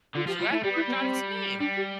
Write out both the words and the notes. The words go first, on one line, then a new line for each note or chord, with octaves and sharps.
so that's where it got its name.
D3 F4
F3 G4
G3 F4
A3 E4
G3 G4
E4
B3
C4
G3 D4
G4